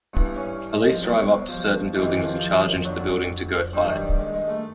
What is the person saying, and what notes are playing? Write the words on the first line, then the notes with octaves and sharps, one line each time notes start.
Police drive up to certain buildings and charge into the building to go fight.
G2 E3 B3
C#4
G#3
F3
C2 B2 F#3
F3
F2 C3 D#3 E3
E3
F3
F3
F2 D3 F#3
G2 D#3 F#3 G3
G3
G#3
G#3
A3